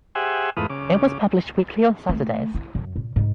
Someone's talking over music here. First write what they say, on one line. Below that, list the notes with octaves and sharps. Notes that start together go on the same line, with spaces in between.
It was published weekly on Saturdays.
G4 G#4 C5 E5 F#5 G#5
E2 G#2 A3 F4 B4 D#6
C#3 D6
A3
E4
F#2
A#2
G#2